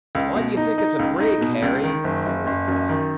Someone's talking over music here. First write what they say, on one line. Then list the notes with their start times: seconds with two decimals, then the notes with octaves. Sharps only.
"Why d'ye think it's a brig, Harry?" queried Bob.
0.15 C#2
0.35 B2
0.57 D#4
0.78 D#4
0.99 C#2
1.20 D#4
1.41 B2
1.62 C#2
1.84 D#3
2.04 F#1
2.26 F#1
2.47 F#1
2.68 F#2
2.89 D#3